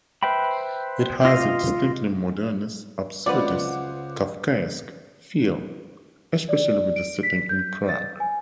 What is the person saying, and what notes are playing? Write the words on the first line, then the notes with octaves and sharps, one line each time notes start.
It has a distinctly Modernist, Absurdist, Kafkaesque feel, especially with the setting in Prague.
B4 C5 E5 G5 B5
F4 D#5 F5
C#2 B4 C5 D5 F#5 D6
D5
D7
B6
G6
A6
G#5